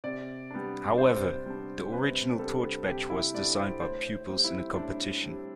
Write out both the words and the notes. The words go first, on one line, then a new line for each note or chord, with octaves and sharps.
However, the original torch badge was designed by pupils in a competition.
C3 D5
G3 B3 D4
C3 C5
G3 B3 D4
C3 B4
G3 B3 D4 A4
C3 G4
E4
G3 B3 D4 D5
C5
A2 C5
G3 C4
E4
A2 D4
G3 C4